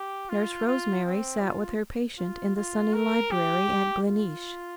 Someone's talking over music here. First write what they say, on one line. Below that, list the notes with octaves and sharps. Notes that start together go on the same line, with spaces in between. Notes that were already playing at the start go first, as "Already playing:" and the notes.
Nurse Rosemary sat with her patient in the sunny library at Gleneesh.
Already playing: G4
F4
F4
C4
F4
F4
F4
A#4
G4
F4